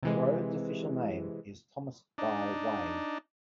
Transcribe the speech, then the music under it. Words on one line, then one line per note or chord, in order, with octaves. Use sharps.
The road's official name is Thomas Guy Way.
C3 E3 G#3
D4 D#4